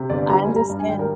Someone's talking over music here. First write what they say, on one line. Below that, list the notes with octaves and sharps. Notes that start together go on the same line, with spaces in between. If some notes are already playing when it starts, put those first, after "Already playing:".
I understand.
Already playing: C3
G1 D5
G3 A#5
G#5
G3
A#5
G2
G#5
G#1 G5
A#4